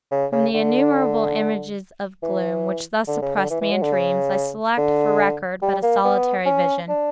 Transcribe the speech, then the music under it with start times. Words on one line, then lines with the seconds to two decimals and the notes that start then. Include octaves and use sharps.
From the innumerable images of gloom which thus oppressed me in dreams, I select for record but a solitary vision.
0.11 C#3
0.32 C#3
0.54 D3
2.23 E3
3.08 D3
3.22 C#3
3.36 D3
3.51 E3
3.62 E3
3.72 F#3
3.82 D3
3.93 C#3
4.78 D3
5.62 G3
5.83 A#3
6.05 B3
6.46 C#4
6.89 D4